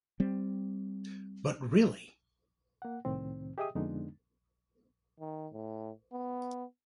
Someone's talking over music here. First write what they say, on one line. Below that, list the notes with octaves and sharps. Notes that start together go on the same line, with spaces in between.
But really?
G3 C4
A#3 F#5
C2 A2 D#3 C4
G4 G#4 D#5 E5 G5 D#6
F2 D3 G#3 B3 D4 D#4
D#3
A2
B3